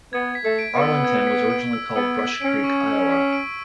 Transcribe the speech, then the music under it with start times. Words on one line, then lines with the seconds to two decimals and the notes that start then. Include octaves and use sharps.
Arlington was originally called Brush Creek, Iowa.
0.13 B3 G#6
0.35 B6
0.43 A3
0.59 D7
0.74 B3
0.81 E6
1.04 G#6
1.27 B6
1.50 D7
1.73 E6
1.96 B3 E6
2.19 B6
2.42 C#4 D7
2.64 C#6
2.87 E6
3.11 B6
3.33 D7